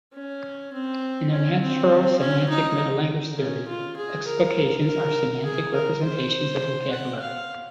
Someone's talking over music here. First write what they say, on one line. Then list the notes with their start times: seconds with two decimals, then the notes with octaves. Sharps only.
In the Natural Semantic Metalanguage Theory, explications are semantic representations of vocabulary.
0.14 C#4
0.73 C4
1.32 C#4
1.61 C4
2.20 C#4
2.49 D#4
3.37 C#4
3.68 F4
3.96 G#4
4.26 A#4
4.85 A#4
5.44 G#4
5.73 A#4
6.03 C5
6.91 F#5
7.21 F5